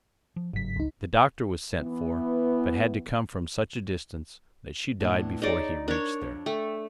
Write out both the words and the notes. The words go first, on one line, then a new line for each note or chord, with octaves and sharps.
The doctor was sent for, but had to come from such a distance that she died before he reached there.
F3
G1 G#2 C#3 F#3 B6
C#2 D#4
E3 B3
A2 B3 D4
D#4 G#4 A4 C#5 D5
D4 D#4 A#4 C#5
F2
A3 G5